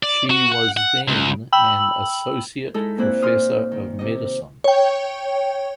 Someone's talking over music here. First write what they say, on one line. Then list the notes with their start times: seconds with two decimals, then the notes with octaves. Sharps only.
She was then an associate professor of medicine.
0.03 D5
0.31 F#4
0.52 F#5
0.77 F#5
1.08 C#2
1.52 G5 B5 E6 F#7
2.74 G#3 D#4 E4 A4
2.98 A#2 A#3 C4 E4 C5 F#6
3.22 A#2 D#4 C6 D#6 F6
3.72 D#3
3.99 C3 D#5
4.64 C#5 G5